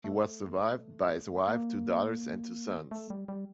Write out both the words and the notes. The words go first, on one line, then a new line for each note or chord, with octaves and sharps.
He was survived by his wife, two daughters and two sons.
A3
A#3
A3
G3
G3